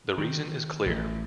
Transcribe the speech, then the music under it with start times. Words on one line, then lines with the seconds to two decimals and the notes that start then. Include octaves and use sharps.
The reason is clear.
0.18 D#3
0.86 A1